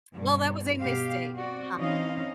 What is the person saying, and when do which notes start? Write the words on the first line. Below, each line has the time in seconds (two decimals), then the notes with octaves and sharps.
well, that was a mistake, ha
0.14 G2 B2 G3
0.81 B2 G4 F5
1.36 C4 F#4 D5
1.78 E3 C4 C#4 D#4 D#5 F5